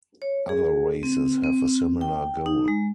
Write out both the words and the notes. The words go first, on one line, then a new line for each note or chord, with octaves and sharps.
Other races have a similar goal.
C#5
G#4
C4
C4
G5
D#4
G#3